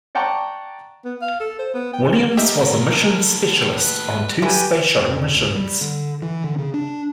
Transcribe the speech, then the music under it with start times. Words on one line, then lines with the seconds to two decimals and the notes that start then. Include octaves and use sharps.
Williams was a mission specialist on two space shuttle missions.
0.15 D5 F#5 G5 A5 A#5 C#6
1.05 B3
1.22 F5
1.40 A4
1.59 C5
1.74 B3
1.93 G5
2.37 D#2 A2 D#4 G4 A#4 E5
3.78 B4
4.42 A3 E4 G4 B4 G#5
4.98 F2
5.34 C#2
5.55 G3
5.81 D3
6.22 E3
6.44 D3
6.58 C#3
6.74 D4